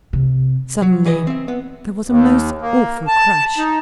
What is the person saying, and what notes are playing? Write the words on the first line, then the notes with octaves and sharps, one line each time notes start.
Suddenly there was a most awful crash.
C3
F#3
E3 B4 D#5
C4 E5
B3
D#2
A#3
A5
D#4